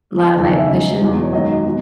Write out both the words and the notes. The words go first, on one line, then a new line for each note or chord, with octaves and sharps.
Lotta light pollution?
G#5
F#1 E2 D#3 A5
G#5
E5
C#2 C#3 F#3 D#5
E2 B2 F#3
C#5
G#1 F#2 D#3 F#3 D#5
B2 F#3